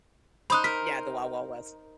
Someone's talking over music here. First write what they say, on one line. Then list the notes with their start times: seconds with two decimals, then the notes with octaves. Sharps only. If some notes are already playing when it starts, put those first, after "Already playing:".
Yeah, the Wild Wild West.
0.50 D#4 C5 B5 D#6 F#6
0.64 A#4 B6